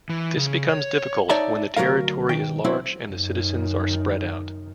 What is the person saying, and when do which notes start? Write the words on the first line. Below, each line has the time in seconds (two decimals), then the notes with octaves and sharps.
This becomes difficult when the territory is large and the citizens are spread out.
0.09 E3
0.37 C#3
0.69 C#5
1.29 D#4 C#5 D5 E5 A5 A#5
1.77 D2 C3 F#3 A#4 F5
2.29 B1 D#3 G5
2.64 B1 F#3 C4 E4
3.10 F#2 D#3